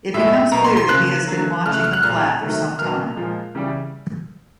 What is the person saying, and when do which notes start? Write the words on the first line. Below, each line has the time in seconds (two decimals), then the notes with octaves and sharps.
It becomes clear that he has been watching the flat for some time.
0.14 A2 F3 G#3 E5
0.52 B2 F#3 A#3 A#5
0.64 C6
0.77 C6
0.89 C#3 F3 A#3 F#6
1.27 D3 F#3 A#3
1.66 C#3 E3 A3 F6
1.74 F#6
1.84 F6
1.93 F#6
2.03 A#2 G3 A#3 F6
2.41 C3 D#3 F#3 A3
2.79 B2 F#3 A#3 F6
3.16 A#2 F3 G#3
3.55 C#3 E3 G3